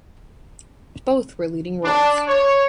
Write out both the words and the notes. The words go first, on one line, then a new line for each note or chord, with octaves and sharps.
Both were leading roles.
D4
C#5